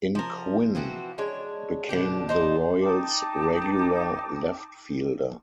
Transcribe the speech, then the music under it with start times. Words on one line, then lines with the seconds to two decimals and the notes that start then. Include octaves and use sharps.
In Quinn became the Royals regular leftfielder.
0.15 F3 A#4
0.75 E3 F3 C4 F#4
1.18 G#3 D4 C#5
1.89 B2 D3 D4 G4
2.29 D#4 C5 D5
2.82 D#4 G5 A5 D6